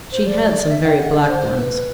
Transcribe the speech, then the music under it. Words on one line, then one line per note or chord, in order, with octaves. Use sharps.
She had some very black ones.
C5
D5
E5
G5
F#5
D5
C5
B4